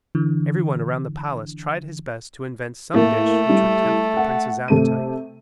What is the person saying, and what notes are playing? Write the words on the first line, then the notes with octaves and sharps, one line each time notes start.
Every one around the palace tried his best to invent some dish which would tempt the prince's appetite.
D3 E3
A2 A3 A#3
G3 E4
F#5
C3 A3 D#7